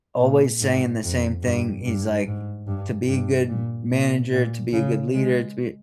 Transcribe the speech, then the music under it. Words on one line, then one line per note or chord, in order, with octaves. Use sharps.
always saying the same thing. He's like, "To be a good manager, to be a good leader, to be
A#2
G#2
F2
G2
G2
G#2
G2
G2
A#2
A#2
A#2
C#3
G#3